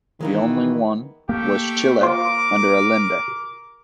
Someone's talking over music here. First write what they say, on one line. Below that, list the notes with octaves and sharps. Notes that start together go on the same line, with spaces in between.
The only one was Chile under Allende.
D#3 E3 G#3 A#3 B3
A3 A#3 G4
F4 A#4 C5 D6